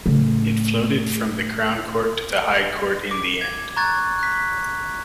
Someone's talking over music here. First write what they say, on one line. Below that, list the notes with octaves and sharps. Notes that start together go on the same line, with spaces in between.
It floated from the Crown Court to the High Court in the end.
A2 C#3
D6
G#6
A#5 C#6 F#6 G#6 A6
F#6 B6